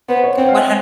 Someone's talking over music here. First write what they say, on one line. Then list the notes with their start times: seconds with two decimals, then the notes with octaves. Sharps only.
One hun
0.09 B3 C5
0.24 C#5
0.38 C4 F#5
0.48 F5
0.58 E5